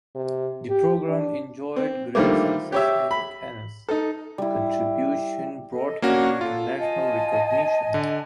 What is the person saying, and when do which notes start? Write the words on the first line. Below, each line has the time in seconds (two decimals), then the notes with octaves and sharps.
The program enjoyed great success and Canus' contribution brought him international recognition.
0.15 C3
0.69 G4
1.08 D4
1.76 C4
2.15 D3 D#3 F3 G3 A3 A#3
2.72 G4 C#5 E5
3.11 B5
3.89 D#4 A4
4.38 G3 E4
5.73 A4 D#5
6.02 A#3 C#4 D4 F#4 C#5 C#6
6.41 F4 A4
6.78 D#5 G#5 A5
7.94 D3